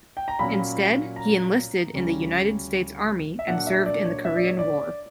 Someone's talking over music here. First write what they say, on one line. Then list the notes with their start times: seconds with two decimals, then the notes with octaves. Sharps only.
Instead, he enlisted in the United States Army and served in the Korean War.
0.17 G5
0.28 A#5
0.39 A#2 F#3 C#4 B5
1.16 A#5
1.93 D2 C#3 G3 C#4
3.39 E5
3.47 A#2 F#3 A#3 D4 F#5
3.67 E5
3.86 D5
4.05 C#5
4.25 E5
4.36 D5
4.47 C#5
4.59 D5